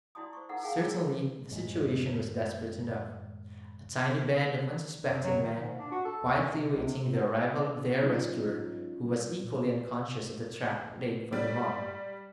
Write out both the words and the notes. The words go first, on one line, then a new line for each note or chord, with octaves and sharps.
Certainly the situation was desperate enough; a tiny band of unsuspecting men, quietly awaiting the arrival of their rescuer, who was equally unconscious of the trap laid for them all.
E4 F#4 D5 A5 C6 D#6
C5 C#6
D#4 A4 A#4 F#5 A#5 E6
G#4 F5 G5 A5
G#4 E6
F#2 A2 D#3 G#3
F#2
F#3
D#3
G#2
D4
F#4
A4
D#2
C#4
C3
C#2
C3
F#3 C#4 D#4 F4
G3
A#2
G3